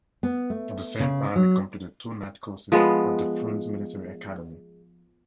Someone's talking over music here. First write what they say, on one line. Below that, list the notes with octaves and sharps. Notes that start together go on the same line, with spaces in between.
At the same time he completed two night courses at the Frunze Military Academy.
B3
A3
C#3
F#3
F3 G#3 B3